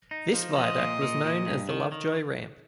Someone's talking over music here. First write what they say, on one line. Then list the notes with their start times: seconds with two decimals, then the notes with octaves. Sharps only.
This viaduct was known as the Lovejoy Ramp.
0.11 D#4
0.34 F3
0.56 F3 D#5
0.79 A#2
1.02 A#2
1.24 A#2
1.46 G2
1.69 D#3
1.92 D#3